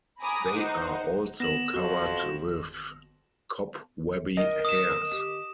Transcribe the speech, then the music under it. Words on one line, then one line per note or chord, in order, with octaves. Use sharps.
They are also covered with cobwebby hairs.
G#5 A#5 B5 D6 D#6
D#4 C5 F#5
B3 A#6 E7 F#7
F2 F#4
A#4 D#5
D#6 E7
G4